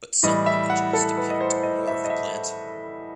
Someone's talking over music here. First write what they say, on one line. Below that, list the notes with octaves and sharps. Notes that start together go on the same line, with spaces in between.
But some images depict more of the plant.
A2 E3 G3 D#5
E5
F#5
A4
B4
D#5
C5
C5
D#5
E5
D#5
E5